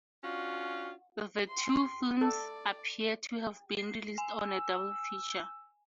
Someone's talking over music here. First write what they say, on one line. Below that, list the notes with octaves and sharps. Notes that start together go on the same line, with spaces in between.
The two films appear to have been released on a double feature.
C#4 D4 F4 F#4
C6
A4 D5
C7
G#5 E6